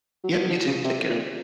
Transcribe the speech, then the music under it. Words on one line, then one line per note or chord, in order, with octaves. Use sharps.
Yep. You too. Take care.
F#3
F3
F#3
F3
C#3
C3
A#2